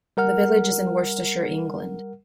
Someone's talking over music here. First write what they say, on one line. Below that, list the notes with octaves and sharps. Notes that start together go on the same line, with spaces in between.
The village is in Worcestershire, England.
G3 A#4 F#5 F6